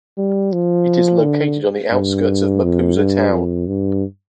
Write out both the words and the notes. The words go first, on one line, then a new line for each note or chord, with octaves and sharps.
It is located on the outskirts of Mapusa town.
G3
F3
D3
G2
F2
G2
F2
G2